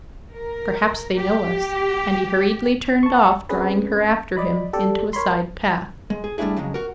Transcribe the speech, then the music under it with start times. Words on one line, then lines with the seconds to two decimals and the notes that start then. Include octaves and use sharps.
"Perhaps they know us!" and he hurriedly turned off, drawing her after him into a side path.
0.37 A#4
1.19 G4
3.03 A5 C#6
3.49 C4 C#4 G#4 B4
4.37 D5 D#5 B5
4.73 G4 A4 D5
5.13 A#4 C#5 B5 C6
6.10 G#3
6.24 G#4
6.38 G3 A3 C#4 D4 E4 G#4
6.57 F2 C#3 F#3 G#3
6.74 F#4 A#4